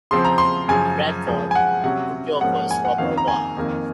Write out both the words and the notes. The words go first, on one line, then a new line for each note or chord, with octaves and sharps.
Bradford", "Quercus robur var.
C#3 F3 C4 C6
A#5
C6
F#2 C#3 F3 G#5
C#3 F3 G#3
G#5
F#5
C3 F#3 C#4 F#5
G#2 F3 A#3 C#4 F#5
G#5
F#5
F2 D#3 A#3 C#4 F5
A#5
G#5
F2 D#3 A#3